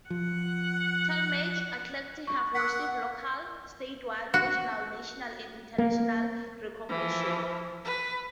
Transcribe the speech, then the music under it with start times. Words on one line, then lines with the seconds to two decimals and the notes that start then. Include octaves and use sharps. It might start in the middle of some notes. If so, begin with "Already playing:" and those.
Tallmadge athletes have received local, statewide, regional, national, and international recognition.
0.10 F3 F#5
2.27 C#6
2.55 F#5 E6 F#6 B6
4.34 F#4
5.78 A#3
6.89 E3 F3
7.85 B4